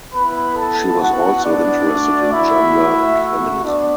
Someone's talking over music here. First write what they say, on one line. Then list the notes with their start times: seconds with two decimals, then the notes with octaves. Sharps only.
She was also interested in gender and feminism.
0.12 B3 E4 B4 B5
0.56 A4 A5
1.00 F#4 F#5
1.44 D4 D5
1.89 A3 F#4
2.32 E4 E5
3.64 B3 D4 D5